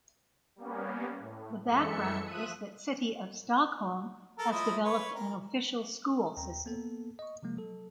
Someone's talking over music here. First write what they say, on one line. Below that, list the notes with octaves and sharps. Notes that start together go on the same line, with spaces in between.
The background is that City of Stockholm has developed an official school system.
G3 A#3 B3 C#4
A2
F#2 E3 G#3 A4 E5 C#7
F3 E5 D#6 F#6 D#7
A4 A#4
F3 E4 D#5
B4 C#5 C#6
A#4
D#2 G5 A#5
A#3 B3 A4
D#5 C#6
C3 F3 G#3 A#3
F#3 A4